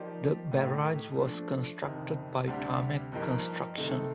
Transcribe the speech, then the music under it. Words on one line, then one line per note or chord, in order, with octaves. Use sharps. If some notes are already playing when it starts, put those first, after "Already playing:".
The barrage was constructed by Tarmac Construction.
Already playing: F3 A#3 D#4 G4 D5
A2 A3 D#4 G4
F3 A3 D4
F2 C3 D#3
D2 C3 G3 D4 G4
G2 F3 A#3 D#4 G4
C3 D#3 A3 D#4 A4